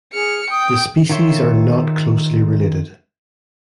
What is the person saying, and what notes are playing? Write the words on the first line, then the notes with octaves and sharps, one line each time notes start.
The species are not closely related.
G#4 F6 C#7
G5 D#6
D#3 F4 C#5 E5 C6